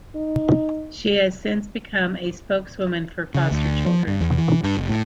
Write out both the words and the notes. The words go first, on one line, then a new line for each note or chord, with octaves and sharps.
She has since become a spokeswoman for foster children.
D#4
C#3
D2
F3
G2
E2
E3
G2
F1
A2